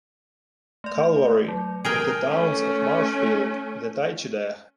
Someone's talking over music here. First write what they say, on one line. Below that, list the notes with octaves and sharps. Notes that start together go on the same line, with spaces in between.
Calvary, in the towns of Marshfield, and Taycheedah.
A3 D5
F#3
G#4 A#4 G5 D7
A3 C#4